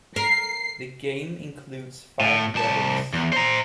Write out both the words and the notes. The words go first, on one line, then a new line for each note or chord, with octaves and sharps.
The game includes five levels.
A#4 C7
A2
C2 A5
E2
C5 A#5